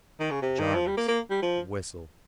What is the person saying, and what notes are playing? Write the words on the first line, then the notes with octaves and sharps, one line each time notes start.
Jarvis whistled.
D#3
C#3
C3
D#3
F3
G3
A#3
A#3
G3
F3